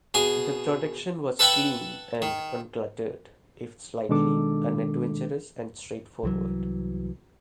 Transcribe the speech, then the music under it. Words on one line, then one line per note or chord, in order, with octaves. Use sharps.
The production was clean and uncluttered, if slightly, unadventurous and straight forward.
B2 G#4 G#5
A4 B4 E5 F#5 G5 B5
D#3
B2 D#3 G#3 D4 A4 D6
C2 E3 F#3